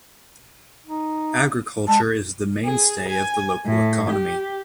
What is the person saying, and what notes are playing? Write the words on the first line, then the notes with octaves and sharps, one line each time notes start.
Agriculture is the mainstay of the local economy.
D#4
G#3 A5
G#4
G#5
A2
G4